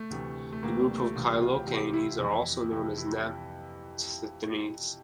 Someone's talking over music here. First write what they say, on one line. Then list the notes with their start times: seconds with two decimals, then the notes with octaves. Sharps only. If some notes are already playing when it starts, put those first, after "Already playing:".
The group of cycloalkanes are also known as naphthenes.
Already playing: A3
0.10 D2 C3 E3
0.52 A3
0.63 D2 C3 E3 A#3
0.80 G3
0.98 A3
1.15 C2 C3 E3 F4
1.28 G4
1.42 F4
1.54 G4
1.67 C2 C3 E3 G4
1.93 E4
2.19 F2 C3 E3
2.71 F2 C3 E3
2.98 E4